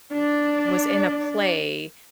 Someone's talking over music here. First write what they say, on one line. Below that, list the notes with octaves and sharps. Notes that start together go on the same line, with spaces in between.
was in a play,
D4 D5